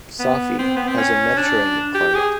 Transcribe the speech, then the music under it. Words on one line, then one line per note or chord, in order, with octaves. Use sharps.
Safi has a Mediterranean climate.
B3
C4
B3
C4
C#4
D4
G4
G#4